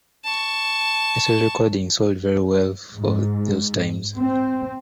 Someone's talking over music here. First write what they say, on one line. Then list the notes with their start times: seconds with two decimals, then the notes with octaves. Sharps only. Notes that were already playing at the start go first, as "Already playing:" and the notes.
Ace's recordings sold very well for those times.
0.25 A5 C#6
2.94 G#2
4.17 C4